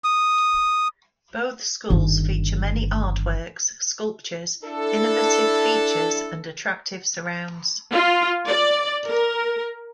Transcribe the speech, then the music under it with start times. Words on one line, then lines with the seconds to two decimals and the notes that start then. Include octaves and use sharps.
Both schools feature many artworks, sculptures, innovative features and attractive surrounds.
0.04 D#6
1.90 G1 D#3
4.64 D4 E4 A4
7.92 F4
8.47 D5
9.07 A#4